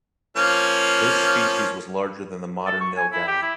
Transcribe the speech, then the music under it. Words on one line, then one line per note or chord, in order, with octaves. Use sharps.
This species was larger than the modern nilgai.
F3 A#3 C#4
A4
C#6
G#5
E4
G4
E4